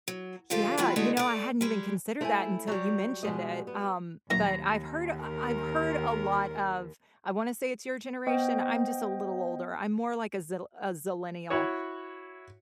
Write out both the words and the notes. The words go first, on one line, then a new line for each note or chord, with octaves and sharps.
Yeah, you know, I hadn't even considered that until you mentioned it, um, but, I've heard, uh, I've heard a lot of, I wanna say it's your generation, I'm just a little older, I'm more, like, a zil a zillennial,
F#3
D3 F3 F4 G4 A4
E3 G3 B3 F4 F#4
D3 G#3 A3 D#4 F#4
A3 D5
G3 G#3
A3 E4 C5 G#5
F#3 G3
B2 G#3 D#5
B3
D#2 A#2 F#3 E4 A#5
A#4
B3 C5 D#5 G5
E4 F#4 C#5